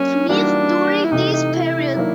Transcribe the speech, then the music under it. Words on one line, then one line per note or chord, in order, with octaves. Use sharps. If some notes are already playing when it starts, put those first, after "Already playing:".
Smith during this period.
Already playing: F#3 A#3 C#4 D4
E3 G3 A#3 D4 D#4 F#4
E4
C3 E3 A3 D#4
D#4
E4
D#3 F#3 A#3 D4